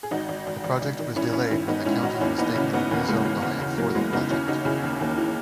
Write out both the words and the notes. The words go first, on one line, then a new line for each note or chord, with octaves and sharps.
The project was delayed when the county mistakenly rezoned the land for the project.
G#4
G#1 D#4 F#4
G#1
G#1
G#1
G#1
D#3
G#1 C#4 E4
G#1 C#4 E4
D#3 C#4 E4
D#3 B3 D#4
G#2 C#4 E4
G#1 D#4 F#4
D#2 C#4 E4
E3 B3 D#4
C#3 C#4 E4
C#3 B3 D#4
D#2 A#3 C#4
C#3 G#3
E3
C#3
C#3
E3 F#3 A#3
E3 G#3 B3
C#3 B3 D#4
D#2 C#4 E4
C#3 D#4 F#4
C#3 E4 G#4
D#2
D#2
E3